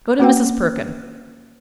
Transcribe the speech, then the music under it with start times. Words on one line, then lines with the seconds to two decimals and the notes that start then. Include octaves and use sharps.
Go to Mrs. Perkin.
0.19 A#3 C#4 F#4 B4 F#5 G5